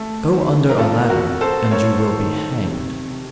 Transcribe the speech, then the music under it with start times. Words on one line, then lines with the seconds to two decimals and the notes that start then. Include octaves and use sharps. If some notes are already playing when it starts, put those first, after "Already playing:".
Go under a ladder and you will be hanged.
Already playing: A3
0.33 D#3
0.69 A#4
0.79 F2 F4 A4
1.10 F#4 A#4
1.26 F2
1.41 A4 C5
1.64 C5
1.71 A3 A#4 C#5
2.17 D#3
2.65 C3
3.10 C3